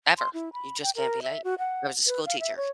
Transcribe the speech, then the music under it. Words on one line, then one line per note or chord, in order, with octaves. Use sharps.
Ever, you just can't be late. I was a school teacher.
C6
E4
B5
G5
A#4
E5
F#4
F#5
B4
F5
E5
C#5